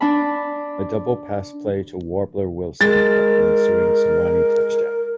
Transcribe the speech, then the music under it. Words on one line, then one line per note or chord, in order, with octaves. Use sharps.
A double pass play to Warbler Wilson got the ensuing Sewanee touchdown.
D4 A5 B5
G#3 A#4 A6